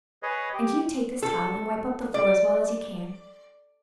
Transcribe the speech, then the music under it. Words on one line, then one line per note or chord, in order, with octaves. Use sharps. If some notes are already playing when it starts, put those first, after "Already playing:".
And you take this towel and wipe up the floor as well as you can.
G#4 B4 C#5 D#5
G4
A4
D5